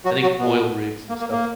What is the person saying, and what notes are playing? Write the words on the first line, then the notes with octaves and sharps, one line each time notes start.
I think oil rigs and stuff,
F#3 F#4
F#3 F#4
B2 B3
A#3
A#3
A#3